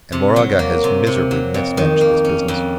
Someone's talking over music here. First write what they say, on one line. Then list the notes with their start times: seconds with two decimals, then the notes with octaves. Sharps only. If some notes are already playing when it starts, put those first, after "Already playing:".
And Moraga has miserably mismanaged this business.
0.12 C3
0.36 F#3
0.59 A#3
0.84 C3
1.07 C3
1.31 F#3
1.54 F2
1.77 D#3
2.01 A#3
2.25 C#4
2.48 F2